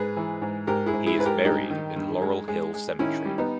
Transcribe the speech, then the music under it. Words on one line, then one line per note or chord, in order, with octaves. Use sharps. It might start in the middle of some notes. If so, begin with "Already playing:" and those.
He is buried in Laurel Hill Cemetery.
Already playing: G#2 G#4 B4
E3
G#2
G#2 G4 A#4
E4 G#4
G#2
E4 G#4
G#2 B4
G4 A#4
G2 D#4 G4
D#3
G2
G#3
G#3
G#3
D#3 C#4 E4
G3
B3 D#4